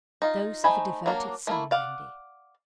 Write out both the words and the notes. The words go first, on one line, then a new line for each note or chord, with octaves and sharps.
'Those of a devoted son, Wendy.'
D#4 F4
A3 D#4 C5 G#5 B5
F#3 A#3 D4
A3 A#3 E4
D5 F5 F#5